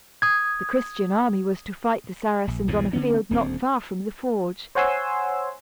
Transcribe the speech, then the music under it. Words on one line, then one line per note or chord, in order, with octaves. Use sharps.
The Christian army was to fight the Saracens on a field not far from the forge.
D#6 G#6
A#1
B1 E2 G#2 C3
D3 F3 B3 C#4
D#1 D2 C4
C5 C#5 F#5 G#5 C6 E6